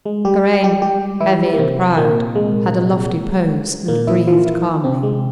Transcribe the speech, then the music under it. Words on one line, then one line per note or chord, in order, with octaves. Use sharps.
Karain, heavy and proud, had a lofty pose and breathed calmly.
G#3
G3 G4
G3 G4
G3 G4
E3 E4
A#3
C3 C4
A#2 A#3
G#3
A#2 A#3
E3 E4
F3 F4
E3 E4
C3 C4
G#3